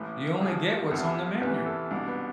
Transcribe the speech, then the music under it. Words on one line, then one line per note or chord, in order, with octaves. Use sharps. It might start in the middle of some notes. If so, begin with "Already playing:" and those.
You only get what's on the menu.
Already playing: A1 A2 E3
C2 C3 F3 G#4
E2 C3 F3 A4
E2 C3 E3 B4
A4
C2 B2 D4
B3